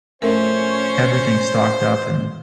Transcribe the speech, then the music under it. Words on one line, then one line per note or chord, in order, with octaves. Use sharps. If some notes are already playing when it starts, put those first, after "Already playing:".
everything stocked up and,
F2 A2 A3 C#4 A#4 C5 C#5